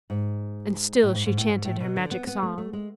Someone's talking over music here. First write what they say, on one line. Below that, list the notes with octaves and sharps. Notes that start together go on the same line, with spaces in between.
And still she chanted her Magic Song.
G#2
A2
G#2
G#2
A2
G#2
A2
B2
D3
B3
B3
A3
A3
G#3